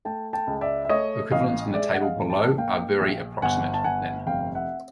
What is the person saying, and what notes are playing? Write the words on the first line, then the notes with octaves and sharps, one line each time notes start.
Equivalents in the table below are very approximate, then.
A3 G5 A5
G5 A5
C#2
D5 E5
E5
A3 C#5 D#5
A1 D#5 F5
G#3 D5 E5
F#5
D#5 F5
A1
G5 A5
A#3 F5 G5
A#1
G1 F#5 G#5
A5
G1 F#5 G#5
F1 F5 G5
E5 F#5